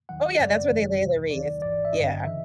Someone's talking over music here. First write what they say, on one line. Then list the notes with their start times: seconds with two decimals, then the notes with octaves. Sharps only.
oh, yeah, that's where they lay the wreath. Yeah.
0.09 D#2 D#3 F#3 F#5
0.39 F#2 C#3 F#3 D5
0.70 G#1 F#2 D#3 F#3
1.01 D2 C3 E3
1.31 D#2 D#3 F#3 D5
1.62 G#1 G#2 E3 D5
1.85 E5
1.93 A1 G2 D3 F#3 D#5
2.23 C#3 E3 E5